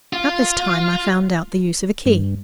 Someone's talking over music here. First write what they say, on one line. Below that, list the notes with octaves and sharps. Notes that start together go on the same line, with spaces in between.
About this time I found out the use of a key.
F4
G2